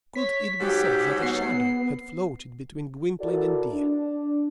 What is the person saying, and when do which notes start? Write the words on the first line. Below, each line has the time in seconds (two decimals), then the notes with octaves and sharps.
Could it be said that a shadow had floated between Gwynplaine and Dea?
0.15 C#5 B6
0.61 G#2 F#3 G4
1.22 B3 F#5 C7
3.19 E4 F#4 A4 A#4 D5
3.72 D4